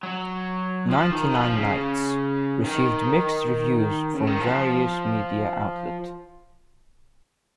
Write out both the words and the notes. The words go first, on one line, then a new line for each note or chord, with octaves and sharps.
"Ninety-Nine Nights" received mixed reviews from various media outlets.
F#3
F3
D#3
F3
C#3
D#3
C#3
D#3
F3